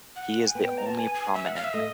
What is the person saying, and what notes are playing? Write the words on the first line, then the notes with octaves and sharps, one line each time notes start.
He is the only prominent.
F#5
G#5
B3 G5
A#5
A5
G#5
G#5
E5
F#5
F5
E5
A3 D#5